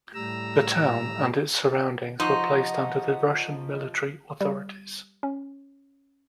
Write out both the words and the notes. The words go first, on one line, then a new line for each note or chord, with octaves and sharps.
The town and its surroundings were placed under the Russian military authorities.
A2 G3 A#5 E6
F3 D#4 C5 D#5 F#5 C#6
G3
C#4